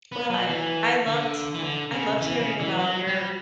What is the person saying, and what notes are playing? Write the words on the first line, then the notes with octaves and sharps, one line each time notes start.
Well, I I loved I loved hearing about your,
B3
F#3
E3
D3
E3
D3
C#3
E3
C#3
E3
F#3
G3